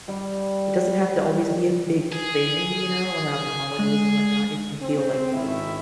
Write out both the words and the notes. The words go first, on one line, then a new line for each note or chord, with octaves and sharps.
it doesn't have to always be a big thing, you know? Around the holidays and whatnot, it can feel like,
G3
G#4
G#3
C4
G#1 D#3 C#4 E4 E5